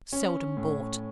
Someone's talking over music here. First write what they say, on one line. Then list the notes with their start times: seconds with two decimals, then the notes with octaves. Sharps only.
Seldom bought.
0.13 C#4
0.57 A2